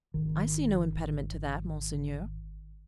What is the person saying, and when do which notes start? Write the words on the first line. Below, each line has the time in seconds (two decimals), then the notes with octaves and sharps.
"I see no impediment to that, monseigneur."
0.14 G#1 D#3